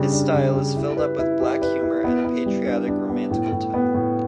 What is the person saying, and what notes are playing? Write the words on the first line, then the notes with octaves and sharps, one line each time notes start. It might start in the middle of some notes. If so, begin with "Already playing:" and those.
His style is filled up with black humor and a patriotic romantical tone.
Already playing: C#3 G3 D4
D4
C#3
G4
E4
B4
E4
G4
B4
E4
B3
B3
G3
D4
D4
B3
A2
A2
B3
A2